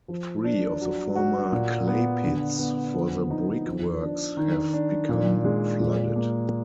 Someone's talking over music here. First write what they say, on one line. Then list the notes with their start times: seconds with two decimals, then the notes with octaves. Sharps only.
Three of the former clay pits for the brickworks have become flooded.
0.08 F3
0.44 D4
0.81 F#3
1.15 F#4
1.52 A#2
1.87 B3
2.23 D3
2.59 B3
2.94 F3
3.30 D#4
3.66 F3
4.02 D4
4.37 D#3
4.73 D4
5.09 A#2
5.44 G#3
5.80 A#2
6.16 A#3